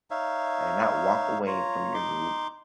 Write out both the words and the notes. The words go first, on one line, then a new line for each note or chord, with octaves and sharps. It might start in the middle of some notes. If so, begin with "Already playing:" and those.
I did not walk away from your group.
D#4 C#5 E5 F5
F4 C#5 A#5
D#4 C6 D6